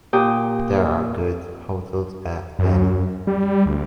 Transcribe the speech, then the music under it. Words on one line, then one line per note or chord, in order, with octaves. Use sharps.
There are good hotels at Vani.
A#2 G4 G5 D#6
F#2
G3
D2